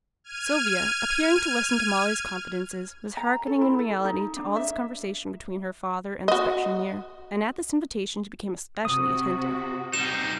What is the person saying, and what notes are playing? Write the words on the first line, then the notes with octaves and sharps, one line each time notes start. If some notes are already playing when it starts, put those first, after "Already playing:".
Sylvia, appearing to listen to Molly's confidences, was hearkening in reality to all this conversation between her father and the specksioneer; and at this invitation she became especially attentive.
F6 G#6 D#7
A#5
A4
E4
A4
D#4
D4
E5
F#4 D#5
C3 F#4 D#6
G3 D#4 E7